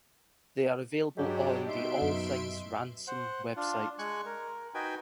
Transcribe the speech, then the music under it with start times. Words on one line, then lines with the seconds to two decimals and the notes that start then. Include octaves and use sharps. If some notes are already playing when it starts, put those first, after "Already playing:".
They are available on the "All Things Ransome" website.
1.17 G2 F#3 G#3 D4 G4
1.67 B2 D#4 E5 C6 D7
2.02 F#2
3.07 C5 F#5
3.56 D4 F4
3.99 G#3 G#5 C#6 F#6
4.26 A#4
4.75 D#4 F#4 B4 G5 G#5